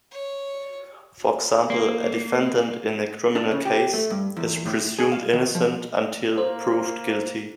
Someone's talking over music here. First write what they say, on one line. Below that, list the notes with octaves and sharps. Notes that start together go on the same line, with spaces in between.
For example, a defendant in a criminal case is presumed innocent until proved guilty.
C#5
A#3
D4
C#3
G4
A3
G2
E2
A2
G#4
F5
D#3
F3
A#3 C5